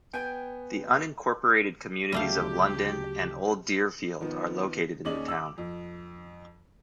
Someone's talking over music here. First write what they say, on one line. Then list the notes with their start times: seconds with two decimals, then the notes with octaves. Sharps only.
The unincorporated communities of London and Old Deerfield are located in the town.
0.14 B3 G5 G#5 G6
2.12 D2 C#3 F#3 G3 A3 G4 F5 A5
4.21 D#3 F3 B3
5.05 D#2 C#4 G#4 D5 D#5 F#7
5.28 D6 E6
5.58 F2